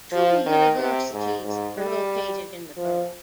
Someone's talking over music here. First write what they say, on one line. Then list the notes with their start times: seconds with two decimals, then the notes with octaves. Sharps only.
Two universities are located in the borough.
0.12 F3
0.46 D#3
0.78 C3
1.12 G#2
1.44 G#2
1.77 G3
2.77 F3